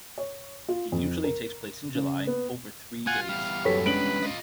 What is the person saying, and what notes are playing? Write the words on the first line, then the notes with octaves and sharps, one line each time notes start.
It usually takes place in July over three days.
C#5
F4
F2
A#4
C#3
B3
F4 F#5 G#5
E2 G3 F5
F#2 G4 A4 B4 C#5 B6
G#3 C#4 D4 B4 D7 F#7
F4 D#5